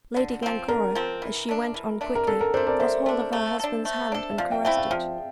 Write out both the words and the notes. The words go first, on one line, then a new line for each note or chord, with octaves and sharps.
Lady Glencora, as she went on quickly, got hold of her husband's hand, and caressed it.
D3
F3 C4
D3 A#4
F3 C4
E3
A3 D4
E3
A3 D4
A#4
D3 A4
A#4
A3 D4 A4 C5
A#4 D5
D3 C5 E5
A3 D4
A3
D4 A4
A3
D4 A4
E5
F3 D5 F5
E5 G5
A3 C4 E4 E5 G5
F5 A5
F3 E5 G5